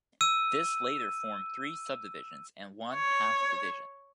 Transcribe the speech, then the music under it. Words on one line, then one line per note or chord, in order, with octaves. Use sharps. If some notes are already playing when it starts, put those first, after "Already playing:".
This later formed three sub-divisions and one half-division.
E6 D#7
C#5